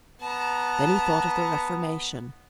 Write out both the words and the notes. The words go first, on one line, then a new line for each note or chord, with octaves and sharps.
Then he thought of the reformation.
B3 A5 A#5